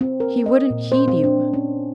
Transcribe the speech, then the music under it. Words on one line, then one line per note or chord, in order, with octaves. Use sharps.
"He wouldn't heed you."
C4
A#4
D#5
A#2
C5
C4
D4
C#4